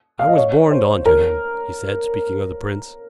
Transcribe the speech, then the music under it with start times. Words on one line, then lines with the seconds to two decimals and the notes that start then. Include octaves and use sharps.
"I was borned on to him," he said, speaking of the Prince.
0.19 F5
0.27 D#5
0.37 C#5
0.71 C5
1.06 A#4